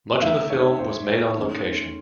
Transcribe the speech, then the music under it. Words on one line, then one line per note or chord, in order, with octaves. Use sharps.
Much of the film was made on location.
D#3 A3 D#4 E5
C#5
C5
D#3 A3 C#4